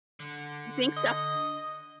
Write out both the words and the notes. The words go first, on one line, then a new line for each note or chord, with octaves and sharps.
You think so?
D3
D#5